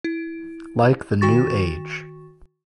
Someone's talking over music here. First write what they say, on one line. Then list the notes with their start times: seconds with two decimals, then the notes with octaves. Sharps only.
Like the New Age.
0.04 E4
1.21 D#3 F#4 C#6 A6